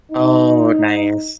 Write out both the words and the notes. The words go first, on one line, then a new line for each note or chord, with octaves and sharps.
Oh, nice.
D#4